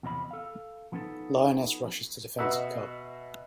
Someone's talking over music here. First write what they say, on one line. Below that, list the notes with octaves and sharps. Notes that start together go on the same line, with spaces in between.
Lioness Rushes to Defense of Cub.
E2 C3 F3 D#5 B5
A4 F5
F3 B3 C#4 D#4 A4
B2 B4 D#5 E5 F#5 E6